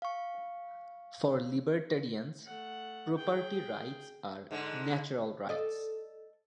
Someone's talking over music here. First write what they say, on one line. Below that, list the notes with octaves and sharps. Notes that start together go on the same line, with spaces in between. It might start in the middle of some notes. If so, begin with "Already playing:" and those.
For libertarians, property rights are natural rights.
F5 C#6
A3 F#5
G#4 G5
G#2 D3 G#3
A4 D5 D#5